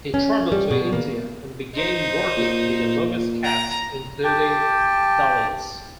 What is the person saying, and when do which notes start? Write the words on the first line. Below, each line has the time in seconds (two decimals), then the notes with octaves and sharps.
He traveled to India and began working with the lowest castes, including Dalits.
0.14 C#4
0.52 G3
0.71 B2
0.93 A#3
1.75 D#4 C5
2.37 A#2
3.44 A#5
4.24 G4 G5 A5